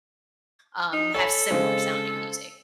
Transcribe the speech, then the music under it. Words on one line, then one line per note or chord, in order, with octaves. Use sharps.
um, have similar sounding music.
D#4
A4 C#5 G#5 B5
C#3 G#3 C4 C5